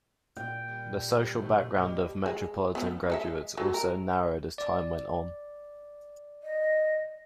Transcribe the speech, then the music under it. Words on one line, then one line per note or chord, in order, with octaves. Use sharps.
The social background of metropolitan graduates also narrowed as time went on.
A#2 G5
G3
C3 G3
B1 F3 G#3 A3
G3 D#5 D6
G#3
F3 A3 B3
G#3 A4 E5
F#3 G3 A3
A#4
D5
D#5